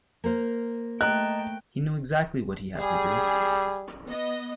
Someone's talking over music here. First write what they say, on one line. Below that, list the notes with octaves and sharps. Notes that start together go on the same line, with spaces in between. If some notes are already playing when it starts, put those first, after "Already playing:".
He knew exactly what he had to do.
A#3 A#4 C5
A3 D#5 G5 A#5 F#6
G3 G#4
B3 D#5